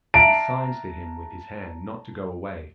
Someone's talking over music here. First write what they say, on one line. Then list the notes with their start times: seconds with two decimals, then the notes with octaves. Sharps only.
He signs to him with his hand not to go away.
0.14 D5 E5 F5 A5 A#5 D7